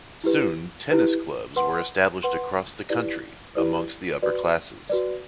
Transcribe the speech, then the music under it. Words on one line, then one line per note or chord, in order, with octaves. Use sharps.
Soon tennis clubs were established across the country amongst the upper classes.
E4 G4 B4
E4 G4 B4
B4 F#5 C6
B4 F#5 C6
E4 G4 B4 D5
E4 G4 B4 D5
F#4 B4 D5
F#4 B4 D5